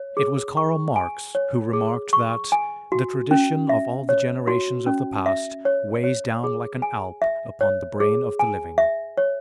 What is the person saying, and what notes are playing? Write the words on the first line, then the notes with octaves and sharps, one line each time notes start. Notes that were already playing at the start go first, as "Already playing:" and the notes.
It was Karl Marx who remarked that, "The tradition of all the generations of the past weighs down like an Alp upon the brain of the living."
Already playing: C#5
G#4
C#6
G#5
C#5
G#4
C#6
G#5
F#4
C#4
E5
C#5
F#4
C#4
E5
C#5
C#5
G#4
G#5
E5
C#5
G#4
G#5
E5
C#5